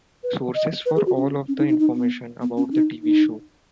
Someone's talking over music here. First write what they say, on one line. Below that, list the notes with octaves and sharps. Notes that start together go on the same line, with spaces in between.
Sources for all of the information about the TV show.
B4
D#5
B4
G#4
F#4
C#4
C#4
D#4
D#4
D#4
B3
B3
C#4
D#4
D#4